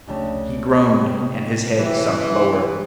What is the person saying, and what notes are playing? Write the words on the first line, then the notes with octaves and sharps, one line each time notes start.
He groaned and his head sunk lower.
F1 C#2 C#3 A3 D4 G4
C3
E3 F#4 G4